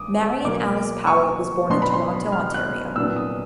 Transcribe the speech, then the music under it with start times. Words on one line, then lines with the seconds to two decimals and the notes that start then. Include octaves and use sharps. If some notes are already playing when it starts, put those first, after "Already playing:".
Marion Alice Powell was born in Toronto, Ontario.
Already playing: G2 D6 D#6
0.45 B2 F#3 A#3 D6
1.07 C#6
1.70 B2 F#3 B3 D4 C6
1.82 B5
1.94 C6
2.32 F6
2.54 F#6
2.96 C2 A#2 F#3 B3 D4 E6
3.16 D#6